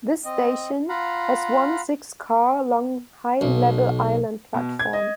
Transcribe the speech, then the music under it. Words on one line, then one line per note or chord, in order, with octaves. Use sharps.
This station has one six-car-long high-level island platform.
C4 D#5
F4 F5 F#5 A#5 B5
B1
B2
G#6
D#5